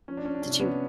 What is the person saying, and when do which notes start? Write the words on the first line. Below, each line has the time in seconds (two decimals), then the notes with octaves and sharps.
Did you
0.08 F3 C#4
0.17 D4
0.25 C#4
0.35 D4
0.42 C3 C#4
0.51 D4
0.60 B3 C#4